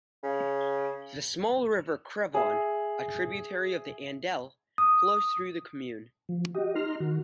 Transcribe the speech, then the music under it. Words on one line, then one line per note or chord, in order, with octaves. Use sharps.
The small river Crevon, a tributary of the Andelle, flows through the commune.
C#3
G#4 E5
D#6
F3
F#4 G4 D#5
D#4 A#5 C6 F6
D#3 F#4